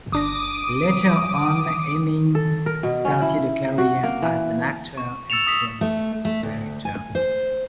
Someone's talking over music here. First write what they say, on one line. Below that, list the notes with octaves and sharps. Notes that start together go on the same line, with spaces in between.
Later on, Hemmings started a career as an actor and film director.
G1 D4 D6 D#6 A#6
A4
A#4
B2
C#4
E4
F#4
A#3
E3
C#6
E6 A6 C#7 E7 F7
D#6 B6
A3
A3
D2
G#5
C5